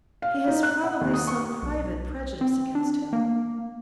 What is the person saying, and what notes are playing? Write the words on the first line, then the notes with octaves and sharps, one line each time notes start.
"He has probably some private prejudice against him."
F5
D#4
F#6
F#5
D#2
D#6
C#6
B1
C4
D4
A#3